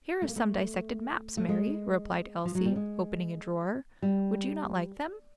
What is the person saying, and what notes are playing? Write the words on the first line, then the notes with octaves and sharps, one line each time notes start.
"Here are some dissected maps, Mary," replied Elsie, opening a drawer; "would you not like them?"
A3
A#3
A3
A3
G#3
F3
F#3
G3
G#3
G3